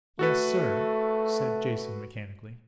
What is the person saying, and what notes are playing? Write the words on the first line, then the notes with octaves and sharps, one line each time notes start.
"Yes, sir," said Jason mechanically.
A3 F#4 A4 B4